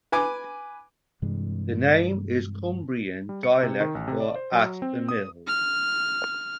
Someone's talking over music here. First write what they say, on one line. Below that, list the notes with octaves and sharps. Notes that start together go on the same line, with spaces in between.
The name is Cumbrian dialect for "At the mills".
B4 G#5 D6
G2 C3 E3 G#3
G3
C#7
C3
D#3
A1
C3
D5
C5
F#3
C4
D#6
F6